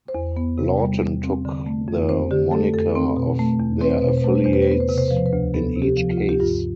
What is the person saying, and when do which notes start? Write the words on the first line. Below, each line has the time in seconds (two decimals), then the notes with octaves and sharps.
Lawton took the moniker of their affiliates in each case.
0.08 C5
0.15 E2
0.37 B3
0.58 C3
0.80 G3
1.01 E2
1.23 C4
1.45 D3
1.66 A3
1.88 F2
2.08 C4 C5
2.31 D3 G4
2.52 A3 A4
2.74 F2 A4
2.95 C4
3.16 B2
3.39 A3
3.60 E2
3.81 C4 B4
3.90 C5
3.99 B2 B4
4.09 C5
4.18 B4
4.24 A3 C5
4.35 B4
4.44 E2 C5
4.53 B4
4.62 C5
4.68 B3 B4
4.80 C5
4.89 C3 B4
4.98 C5
5.08 F3 B4
5.17 C5
5.26 B4
5.33 D2
5.54 B3 A4
5.76 C3
5.82 G4
5.97 F3
6.11 F4
6.18 D2
6.29 G4
6.40 G2 F4